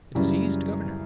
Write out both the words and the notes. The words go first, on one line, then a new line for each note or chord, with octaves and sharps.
A diseased governor?
F#2 C#3 E3 G3